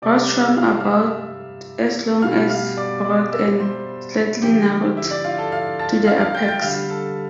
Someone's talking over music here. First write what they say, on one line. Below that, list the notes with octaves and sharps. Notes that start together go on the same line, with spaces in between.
Rostrum about as long as broad and slightly narrowed to the apex.
C3 G3 D5 D6
E5 E6
F5 F6
F6
E5 E6
B2 G3 F5 F6
F5 F6
D5 D6
D5 D6
E5 E6
C5 C6
D3 F3 A3 G4 G5
E4 E5
D5
F4 F5
A4 A5
F5 F6
A5 A6
F5 F6
F5 F6
G5 G6
A6
G5 G6
D3 G3 F5 F6
A4 A5